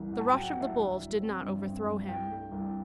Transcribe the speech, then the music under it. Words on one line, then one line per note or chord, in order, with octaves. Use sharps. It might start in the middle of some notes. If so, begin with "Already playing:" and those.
The rush of the bulls did not overthrow him.
Already playing: C2 E3
A1 F#5
A5
G5
F#3
F#5
A1
E5
D2
G3
C4
G2
C4
G2
C2 G5
A3
C2